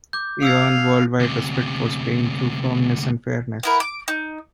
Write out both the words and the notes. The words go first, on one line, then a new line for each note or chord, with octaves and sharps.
He earned worldwide respect for Spain through firmness and fairness.
D6 G6
F5 D#6 E6 G#6
D2 C3
B3 E4 A#4
D6
D#4